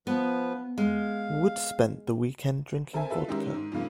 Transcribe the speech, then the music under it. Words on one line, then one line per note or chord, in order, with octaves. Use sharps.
Wood spent the weekend drinking vodka.
F3 B3 B4
G#3 F5
C4 A4 A#4 E5 G#5
E4 F4 A4 B4 E5
D#3 G#3 C#4 E4 G4 A#4
G#2
F2 G#2 C#3 A#3